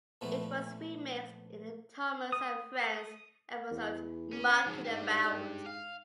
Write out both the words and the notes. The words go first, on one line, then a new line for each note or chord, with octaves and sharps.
It was remixed in the "Thomas and Friends" episode Mucking About.
A#2 E3 F3 A3 B3
D#6
E2
C#4
G#2 F3 F#3
D4 G4
F5